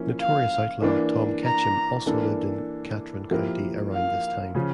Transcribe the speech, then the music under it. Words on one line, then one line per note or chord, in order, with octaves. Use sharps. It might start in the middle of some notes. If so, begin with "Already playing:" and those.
Notorious outlaw Tom Ketchum also lived in Catron County around this time.
Already playing: F3 A#3 C#4 E4
F5
E3 A#3 D4
A#5
E3 A#3 D4 A4
F3 A#3 E4 G4 A#4
F5
C#3 F3 C#4